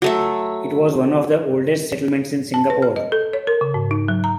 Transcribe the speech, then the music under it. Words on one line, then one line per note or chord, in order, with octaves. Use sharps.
It was one of the oldest settlements in Singapore.
F#3 A3 E5
A5
B4
F6
D#5
A4
C#5
A#4
C#3
G#2
D#4
F#3
A#5